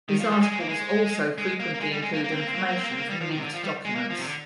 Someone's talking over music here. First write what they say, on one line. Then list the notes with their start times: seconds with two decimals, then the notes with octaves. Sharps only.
His articles also frequently include information from leaked documents.
0.09 D#3
0.19 F3
0.30 G3
0.41 G#3
0.52 G#3
0.60 A#3
0.69 G#3
1.38 G#3
1.60 A#3
1.74 A#3
1.80 G#3
1.92 G3
2.02 G#3
2.13 A#3
2.24 A#3
2.31 C4
2.39 A#3
2.47 C4
2.54 A#3
2.61 C4
2.68 A#3
2.76 C4
2.83 A#3
2.91 C4
2.98 A#3
3.10 G3
3.21 F3
3.31 D#3
3.37 C3
3.42 D3
3.53 F3
3.63 G3
3.85 G#3
3.95 A#3
4.10 F3
4.18 C3
4.25 D3